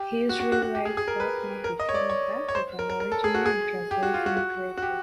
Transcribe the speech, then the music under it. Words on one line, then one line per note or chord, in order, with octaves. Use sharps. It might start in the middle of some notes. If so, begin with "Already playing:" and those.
His real life-work now became that of an original and translator engraver.
Already playing: G4
F#4
F#4
F#4
F#4
G4
G#4
G#4
A#4
B4
A#4
D#5
C#5
D5
C#5
C#5
C5
A#4
A#4
A#4
A4
G#4
F#4
G#4
G4
F#4
F4
F#4
F#4
F#4
G4